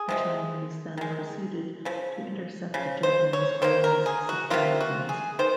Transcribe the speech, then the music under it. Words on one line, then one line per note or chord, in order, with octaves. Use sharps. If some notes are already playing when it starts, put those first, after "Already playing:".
The Chinese then proceeded to intercept the Japanese army's supply lines.
Already playing: G#4
C3 F3 G#3
D#3 G#3
C#3 F3
C#3 F3
C5
C#5
D#3 A#3 C5
A#4
G#4
F#4
C3 D#3 A#3 F4
F#4
G#4
D#3 C5